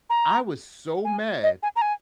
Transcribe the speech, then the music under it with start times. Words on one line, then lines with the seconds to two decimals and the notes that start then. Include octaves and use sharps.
I was so mad.
0.10 A#5
1.05 G#5
1.43 D#5
1.63 G#5
1.76 A#5
1.81 G#5